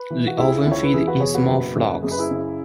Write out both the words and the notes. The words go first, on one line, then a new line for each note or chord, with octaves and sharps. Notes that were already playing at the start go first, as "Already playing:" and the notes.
They often feed in small flocks.
Already playing: B4
E3
F#4
C#2 E4 G#4
C#2 E5
C#5
B4
E2 E4 G#4
F#4 B4
B2 G#4 C#5
F#4 B4
F#1
F#1
F#2 G#4
B4
E4 G#4
C#3